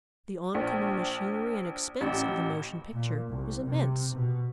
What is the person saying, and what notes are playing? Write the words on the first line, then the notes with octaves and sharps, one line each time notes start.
The oncoming machinery and expense of the motion picture is immense.
A#1
A1
A#2
C2
C3
B2